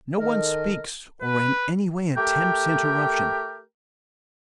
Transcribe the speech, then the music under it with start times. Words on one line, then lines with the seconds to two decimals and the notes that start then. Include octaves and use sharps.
No one speaks, or in any way attempts interruption.
0.20 D#3 A4 A#4 D#5
1.21 B4
2.16 A3 G4 A#4 G5